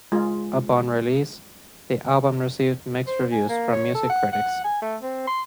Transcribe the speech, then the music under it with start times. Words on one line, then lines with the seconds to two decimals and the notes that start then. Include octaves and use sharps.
Upon release, the album received mixed reviews from music critics.
0.12 G#3 F4
3.07 C5
3.32 G#5
3.49 A#3
3.72 C#5
3.95 A4
4.10 F#5
4.33 F#5
4.64 G#5
4.82 A3
5.03 C4
5.27 C6